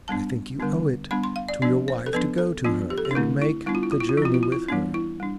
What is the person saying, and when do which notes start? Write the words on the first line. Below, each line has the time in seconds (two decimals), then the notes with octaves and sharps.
I think you owe it to your wife to go to her, and make the journey with her.
0.08 G3 B3 D4 A5
0.60 D3 G3 B3 D4
1.11 G3 B3 D4 B5
1.23 C6
1.36 F5
1.49 D5
1.62 F3 B3 D4 D5
1.88 C5
2.06 A4
2.13 F3 B3 D4 B4
2.38 A4
2.65 F3 B3 D4 F4
2.90 G4
2.98 A4
3.05 G4
3.11 D4
3.15 D3 A3 C4 E4
3.42 E4
3.66 G3 B3 D4 E4
3.75 F4
3.83 E4
3.92 F4
4.00 E4
4.09 F4
4.17 F3 E4
4.22 C4 F4
4.34 E4
4.43 F4
4.52 E4
4.69 E3 G3 B3 D4
4.94 E4
5.20 G3 D4